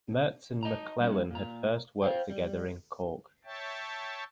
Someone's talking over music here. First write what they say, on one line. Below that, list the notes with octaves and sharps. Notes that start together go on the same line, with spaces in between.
Merz and McLellan had first worked together in Cork.
D#5 A5 A#5
G3 A#3 B3 C#4 F#4
A#2 A#5
C5 F5 G5
G3
C#5 E5 G5 A5